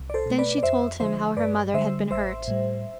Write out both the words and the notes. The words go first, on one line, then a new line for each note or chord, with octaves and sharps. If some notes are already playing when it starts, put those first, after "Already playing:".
Then she told him how her mother had been hurt.
Already playing: C2
D5
A4 C5
B2 A3
B4 D5
D5
F2 C5 E5
D3 F3 C5 E5
G2 B4 D5
D3 G3 C5 E5
A1 C5 E5
A2 G3